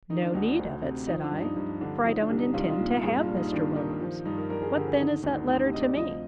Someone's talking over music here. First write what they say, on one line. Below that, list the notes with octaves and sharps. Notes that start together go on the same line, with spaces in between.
No need of it, said I; for I don't intend to have Mr. Williams: What then is that letter to me?
D#3 D#4
D4
D2 D#4
D4
D2
C3
F3 D#4
D4
G2
D#4
G2 D#4
D3 D4
F3 D#4
D4
C2
D#4
C2 F4
D#4
F4
A#2
G2 G#4
F4
G2
D#4
D#3 D4
D#3 D#4
F3
G2 D#4
A#4
G2 A#4
G#4
D3 G4
G#4
D#3 D#4
D2 D4
D4
D2 D#4
G4
C3 D#5
D5
F3 D#5